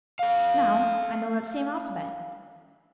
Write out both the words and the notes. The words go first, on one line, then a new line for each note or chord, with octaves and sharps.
Now, I know that same alphabet.
A4 F5